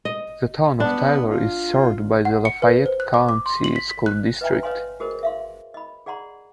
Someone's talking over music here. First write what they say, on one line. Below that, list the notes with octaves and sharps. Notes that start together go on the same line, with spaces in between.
The Town of Taylor is served by the Lafayette County School District.
D#5
B3 D4
F4
F#5
C#7
B4
C5
F#6
D6
D6
C6
F#7
B6
B6
F#6
B4 D#5 E5 G5 G#5 A#5
B4 C#5 D#5 F5 G#5 C6
F#4 G#4 A#4 C5 D#5
E5 F5 C6
D#5 B5
G#4 D5 F#5 A#5 C6